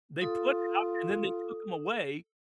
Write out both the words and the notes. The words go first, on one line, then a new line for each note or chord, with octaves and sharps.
they put it out, and then they took 'em away
F4 A4 D#6